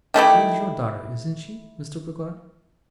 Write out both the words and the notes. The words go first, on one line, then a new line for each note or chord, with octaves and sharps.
'She is your daughter, isn't she, Mr. Peggotty?'
D#3 A3 E4 G4